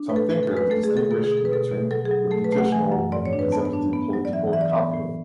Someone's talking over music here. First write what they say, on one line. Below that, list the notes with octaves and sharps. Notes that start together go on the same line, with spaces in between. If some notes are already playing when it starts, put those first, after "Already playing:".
Some thinkers distinguish between reputational and representative political capital.
Already playing: D4
A3 B4
A4
A2 B4
A4
G#3
B4
A3 A4
G#4
D3
A4
B2 A4
G#4
B2
A4
B4
B2 A4
B2
F#3 A4
G#4
F#3
A3 A4
B4
A3
F#5
E3 G#5
F#2 F#5
G#2 D5
C#5
D4
B4
B3 A5
A5
D4
B3
F#3
D5
E3 E5
E3 E5
D5
B3 E5
A2